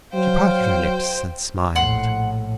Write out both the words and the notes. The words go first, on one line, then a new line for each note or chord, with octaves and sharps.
She parted her lips and smiled.
F#3 C5 F5 G5
A#1 A2 F#5 C6